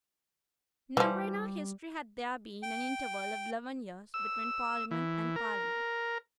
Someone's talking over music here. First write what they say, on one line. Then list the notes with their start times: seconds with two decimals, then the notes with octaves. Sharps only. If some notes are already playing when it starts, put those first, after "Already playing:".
Never in our history had there been an interval of eleven years between Parliament and Parliament.
0.97 E3 F3 G3
2.63 G5
4.14 E6
4.91 E3
5.36 A#4